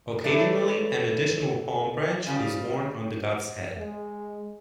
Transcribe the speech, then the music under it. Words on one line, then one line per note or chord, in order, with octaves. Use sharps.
Occasionally, an additional palm branch is worn on the god's head.
E3 F#3 A3 D4
C#3 F3 G3
G#3